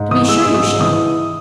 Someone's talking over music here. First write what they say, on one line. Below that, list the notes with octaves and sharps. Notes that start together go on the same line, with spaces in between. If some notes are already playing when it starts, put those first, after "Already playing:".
"To be sure you shall."
Already playing: G#2
E3 D#6
G#3 E6
G#2 E6
D#6
G#2
E3 D#6